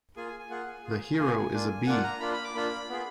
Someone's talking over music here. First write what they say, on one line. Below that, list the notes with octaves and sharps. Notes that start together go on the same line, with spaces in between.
The hero is a bee!
A#3 F4 G#4 G#5
G#5
G#5
A#3 F4 G#4 F#5
G#5
A#3 F4 G#4
A#3 F4 G#4 G#5
A#3 D4 F4
A#3 D4 F4 F#5
A#5
A#3 D4 F4 B5
B5
D6
A#3 D4 F4 B5
B3 F4 G#4